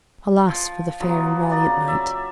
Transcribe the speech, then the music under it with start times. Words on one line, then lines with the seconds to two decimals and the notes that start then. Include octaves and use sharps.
Alas, for the fair and valiant knight!
0.48 F3
1.00 F3 F#3 A#3 B3
1.51 D5 A#5
1.64 C#3
1.88 D5 E5